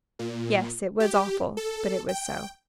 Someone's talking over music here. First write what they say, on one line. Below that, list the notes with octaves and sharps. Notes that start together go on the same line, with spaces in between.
Yes, it was awful, but it was so.
A#2
G4
A4
G5